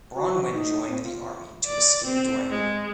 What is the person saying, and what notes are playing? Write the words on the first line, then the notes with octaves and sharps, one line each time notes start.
Bronwyn joined the army to escape Dwayne.
F#4
D#4
C4
F4
D5
C4
G#3